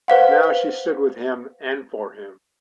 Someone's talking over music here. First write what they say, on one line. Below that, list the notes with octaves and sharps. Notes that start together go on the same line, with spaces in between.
Now she stood with him and for him.
B4 C5 F5 F#5